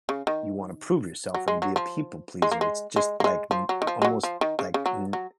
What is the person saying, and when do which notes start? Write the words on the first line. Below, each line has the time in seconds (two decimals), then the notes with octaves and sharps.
you wanna prove yourself and be a people pleaser. It's just like n almost like n
0.09 C#3
0.27 D#3
1.34 F#3
1.48 G#3
1.62 F#3
1.76 F3
2.42 G#3
2.52 A#3
2.61 G#3
2.96 G#3
3.20 A#3
3.24 G#3
3.51 F3
3.69 F#3
3.82 D#3
3.87 F3
4.02 G#3
4.05 F#3
4.23 F3
4.41 D#3
4.59 C#3
4.74 C#3
4.86 F#3
5.13 F#3